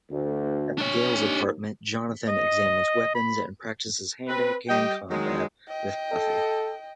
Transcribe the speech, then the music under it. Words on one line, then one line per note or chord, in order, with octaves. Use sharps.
At Giles's apartment, Jonathan examines weapons and practices hand-to-hand combat with Buffy.
D2
D4 C#5
D#2
D#5
B5
C4 B4
G3 D#5 G5
D#3 F#3 G#3
D#5 G5
A4